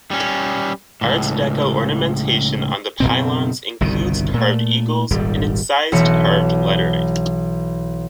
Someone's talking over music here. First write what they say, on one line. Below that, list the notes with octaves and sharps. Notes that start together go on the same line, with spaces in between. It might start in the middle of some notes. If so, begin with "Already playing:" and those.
Art Deco ornamentation on the pylons includes carved eagles and incised carved lettering.
G3 C#4
C#2 A2
F#1 C#2 B2 C4
G1 C2 B2 D#3
A#2 A3
D#1 G#1 G#2 G3
B1 E3 C#7